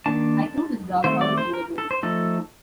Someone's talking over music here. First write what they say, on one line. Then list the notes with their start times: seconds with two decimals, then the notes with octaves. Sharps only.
I threw his doghouse overboard.
0.06 D#3 A#3 D4 A5
1.04 D#3 A3 C4 C5
1.21 D5
1.38 C5
1.54 A#4
1.78 A4
1.91 C5
2.03 F3 A3 D#4 A4